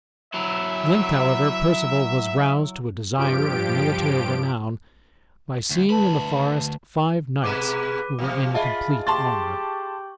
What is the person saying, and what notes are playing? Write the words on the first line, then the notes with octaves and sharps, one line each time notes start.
At length, however, Perceval was roused to a desire of military renown by seeing in the forest five knights who were in complete armor.
F#3 E4 E5
G2 F3 G4 D7
D2
D2 B4 A5 B5
B2 G#3 B3 B4 D6 D#7
A2 C3 F3
F4 G#4 D#5 E5 A5 B5
G4 A5 C6 C#6 A6